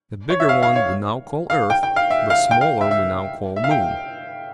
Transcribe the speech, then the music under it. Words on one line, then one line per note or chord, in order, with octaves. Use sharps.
The bigger one we now call earth, the smaller we now call moon.
C#5
E5
F5
F5
C#5
F5
G5
G5
F5
E5
F5
G5
F5
E5
E5
E5
F5
G5